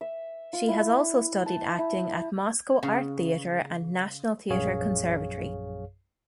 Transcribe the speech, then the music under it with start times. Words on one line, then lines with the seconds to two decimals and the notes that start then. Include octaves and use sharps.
She has also studied acting at Moscow Art Theatre and National Theatre Conservatory.
0.01 E5
0.53 F4
0.68 E4
1.46 A5
1.79 E4
2.83 C#3
4.50 A#1 F#2 G#4 C#5 F5